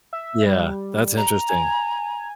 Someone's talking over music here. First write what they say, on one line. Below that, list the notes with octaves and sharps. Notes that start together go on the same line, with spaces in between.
Yeah, that's interesting.
E5
G3
A#5
G#5